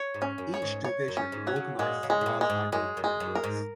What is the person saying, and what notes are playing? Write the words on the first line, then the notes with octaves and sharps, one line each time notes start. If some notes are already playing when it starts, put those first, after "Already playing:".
Each division organises a large annual conference.
Already playing: C#5
G#2
C#4
F#2
C#5
G#2
C#5
F#2
C#4
G#2
F#3
C#3
A#2 G#3
C#3
G#3
C#3
A#2
G#3
G#2
F#2 G#3
F#2
G#3
F#2
A#4
G#2